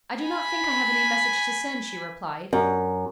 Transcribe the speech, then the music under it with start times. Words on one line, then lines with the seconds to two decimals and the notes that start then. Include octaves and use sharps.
"I do not think I have any message to send," she replied.
0.21 G#5 B5
2.53 F#2